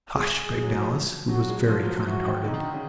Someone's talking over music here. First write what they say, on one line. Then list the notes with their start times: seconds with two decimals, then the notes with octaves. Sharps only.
"Hush!" begged Alice, who was very kind-hearted.
0.15 G#3 G#4
0.54 G#3
0.62 F#3
0.72 F#3
0.82 F3
1.29 F#3 F#4
1.49 G#3
1.59 F#3
1.68 F3 F4
1.83 F#3
1.88 F3
2.06 E3 F#4
2.25 D#3
2.44 D3 D#4
2.54 D#3
2.63 D3
2.74 C#3